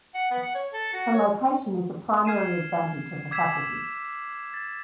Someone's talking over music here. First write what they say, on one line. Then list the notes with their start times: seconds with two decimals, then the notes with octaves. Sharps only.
The location is a primary advantage of the faculty.
0.15 F#5
0.31 B3
0.43 F#5
0.55 C#5
0.73 A4
0.93 F#4
1.14 C#5
2.25 F6 G#6 C7 D#7 E7
3.31 D6 E6 G#6 B6 E7
4.54 A6